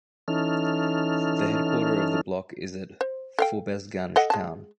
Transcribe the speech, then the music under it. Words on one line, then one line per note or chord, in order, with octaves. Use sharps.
The headquarter of the block is at Forbesganj town.
E3 C#4 D#4 A4 F6
C5
A4 F5 G5
A4 D#5 F#5
G#3 A5